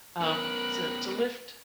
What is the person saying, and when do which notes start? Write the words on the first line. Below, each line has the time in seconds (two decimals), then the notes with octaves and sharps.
um, to to lift
0.21 B3 C#4 A#4 B5 F#6